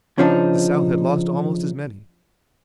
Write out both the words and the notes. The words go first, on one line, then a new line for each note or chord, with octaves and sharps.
The South had lost almost as many.
C#3 F3 D4 D#4